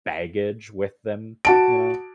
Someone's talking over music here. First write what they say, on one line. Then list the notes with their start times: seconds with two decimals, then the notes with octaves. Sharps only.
baggage with them, you know.
1.45 F#4 A5 D7